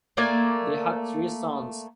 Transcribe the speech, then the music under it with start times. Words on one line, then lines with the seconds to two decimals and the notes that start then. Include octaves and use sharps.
They had three sons.
0.17 A3 A#3 D5 G#5